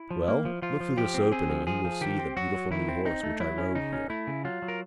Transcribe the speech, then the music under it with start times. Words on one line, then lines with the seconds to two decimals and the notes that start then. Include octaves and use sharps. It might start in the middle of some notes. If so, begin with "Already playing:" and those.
"Well, look through this opening, and you will see the beautiful new horse which I rode here."
Already playing: E4
0.11 F3
0.28 A#3
0.45 F3
0.62 F3 F4
0.80 F3
0.97 F3 G4
1.14 C4
1.32 C4 G#4
1.49 F3
1.67 F3 G#4
1.84 F3
2.01 D#3 G4
2.19 C4
2.37 F#3 F#4
2.54 F#3
2.71 D#3 E4
2.88 C4
3.05 C4 D#4
3.23 A3
3.40 F#3 E4
3.58 C#4
3.75 C#3 D#4
3.93 C#4
4.10 A3 E4
4.27 C#3
4.45 F#3 F4
4.62 F#3
4.68 A#4